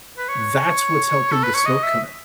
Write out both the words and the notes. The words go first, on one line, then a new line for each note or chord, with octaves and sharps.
that's what's helping the smoke come in.
B4
C#5
A4
B4
C#5
D#5
E5